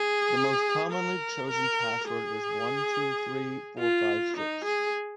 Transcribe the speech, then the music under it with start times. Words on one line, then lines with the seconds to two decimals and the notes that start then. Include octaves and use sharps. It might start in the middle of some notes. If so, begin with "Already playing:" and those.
The most commonly chosen password is one two three four five six.
Already playing: G#4
0.93 A#4
1.50 A#4
2.08 G#4
3.79 F4
4.36 D#4
4.64 G#4